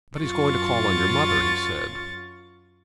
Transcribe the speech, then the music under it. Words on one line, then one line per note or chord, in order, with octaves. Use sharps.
"But he's going to call on your mother," he said.
F#2 F4 C#6 A6